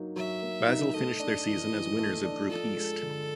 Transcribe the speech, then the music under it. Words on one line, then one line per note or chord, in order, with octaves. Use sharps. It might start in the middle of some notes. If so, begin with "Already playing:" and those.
Basel finished their season as winners of group East.
Already playing: F#3 A#3 D#4
F#3 E5
A#3
D#4
A3 D#5
D4
E3
E3
A3
D4
F3 A4
G#3
D3